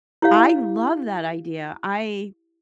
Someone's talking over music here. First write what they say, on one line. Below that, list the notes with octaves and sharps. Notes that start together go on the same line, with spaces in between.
I love that idea, I
E4 G4 C#5 F5